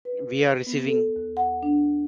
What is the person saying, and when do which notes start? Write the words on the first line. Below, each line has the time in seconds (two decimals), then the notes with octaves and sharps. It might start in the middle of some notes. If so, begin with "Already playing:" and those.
We are receiving.
0.05 B4
0.67 B3
0.87 A4
1.16 D#2
1.37 F#5
1.63 D4